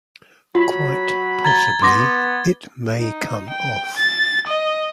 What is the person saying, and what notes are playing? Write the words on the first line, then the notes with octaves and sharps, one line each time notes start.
Quite possibly it may come off.
F#3 F4 B5
A#5 G#6 A6 G7
B3 C6 D6 A#6
D#4
G5
A6
D#5